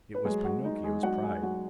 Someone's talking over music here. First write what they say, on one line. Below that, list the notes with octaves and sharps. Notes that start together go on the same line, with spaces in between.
It was Pinocchio's pride.
B4
F#3 G#3 G#4
F#4
F#3 D#4
G#3 G#4
F#3 F#4 F#5
G#4 G#5
F#3 F#4 F#5